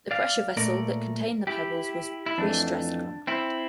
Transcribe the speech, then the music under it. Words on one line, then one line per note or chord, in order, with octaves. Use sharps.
The pressure vessel that contained the pebbles was prestressed concrete.
D5 F5
A#2 A3 A#4 D5
E4 G4
E4
F2 E3 A3 D4
C4 E4